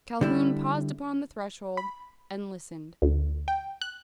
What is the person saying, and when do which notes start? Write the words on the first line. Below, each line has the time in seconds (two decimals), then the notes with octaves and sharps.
Calhoun paused upon the threshold, and listened.
0.21 D3 G3 E4
1.77 B5
3.02 D2
3.48 G5
3.82 F#6